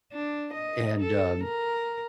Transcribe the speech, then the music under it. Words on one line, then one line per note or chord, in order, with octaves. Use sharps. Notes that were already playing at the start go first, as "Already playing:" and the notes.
and, um,
D4
D#5
A4
A#4